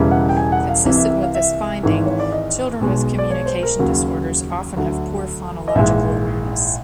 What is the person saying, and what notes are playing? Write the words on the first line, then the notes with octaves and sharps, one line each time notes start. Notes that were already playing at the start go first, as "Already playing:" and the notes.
Consistent with this finding, children with communication disorders often have poor phonological awareness.
Already playing: E1 E2 C#3 E3 G3
F#5
G5
G#5
F#5
F5
C2 C3 E3 E5
E5
E5
F5
E5
G#1 G#2 E3
C#5
D5
D#5
B1 B2 G#3
D5
C#5
C5
A#4
D#2 C#3 F#3
D2 D3 F#3
D#5
A#1 G#2 E3 G#3 E5